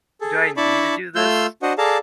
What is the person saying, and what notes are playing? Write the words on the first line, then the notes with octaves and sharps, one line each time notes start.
do I need to do this?
G#4 A4
D4 E4 D5 A5 B5 C#6
A3 F4 C6 E6 F6 G6
D4 F#4 C5 D#5 F#5
G#4 A4 D5 F5 A5 A#5